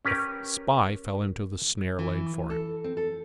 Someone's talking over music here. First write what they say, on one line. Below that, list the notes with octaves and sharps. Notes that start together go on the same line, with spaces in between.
The spy fell into the snare laid for him.
C#4 G4 A#4 B4
E3
A4
C4
A4